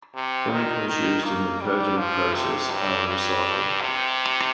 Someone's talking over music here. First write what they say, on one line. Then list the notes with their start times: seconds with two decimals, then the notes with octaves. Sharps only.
Chemicals used in the coating process are recycled.
0.15 C3
0.51 D#3
0.89 D#3
1.25 A#3
1.61 G3
1.98 F3
2.34 C3
2.72 G2
3.08 G2
3.81 C3